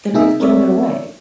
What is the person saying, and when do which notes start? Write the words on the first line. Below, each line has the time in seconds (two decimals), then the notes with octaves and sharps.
then I've given it away.
0.14 C3 D#4 G#4 E5
0.40 C4 A#4 C#5 D5 E5